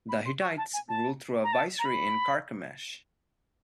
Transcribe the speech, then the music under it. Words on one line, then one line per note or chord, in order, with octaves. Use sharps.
The Hittites ruled through a viceroy in Carchemish.
B5
C6
C#6
A5
G#5
A5
A#5
A5
A#5
B5